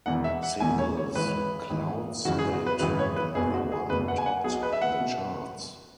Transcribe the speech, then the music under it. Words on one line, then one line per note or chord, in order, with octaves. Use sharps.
Singles "Clouds," and "Another One," topped the charts.
E1 E2 E3 F#5
E5
F#5
E1 E2 E3 G#5
C#5
C#5
G#1 G#2 E3 B4
G#1 G#2 E3
G#1 F#2 C#3 E3 F#4
G#4
F#4
B4
G#1 F#2 C#3 E3 B4
C#5
B4
F#1 E2 B2 G#4
F#4
G#4
F#1 E2 B2 B4
F#5
G#5
F#5
B1 B2 G#4
B4
E5
F#5
B2